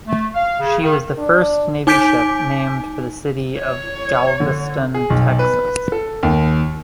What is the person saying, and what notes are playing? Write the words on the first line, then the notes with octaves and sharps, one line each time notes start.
She was the first Navy ship named for the city of Galveston, Texas.
A3
F5
C#3
D#3
D4
D#4 G#5 D6 G6 B6 D7
C#5
D3
G#4
B1
B4
A4
D#2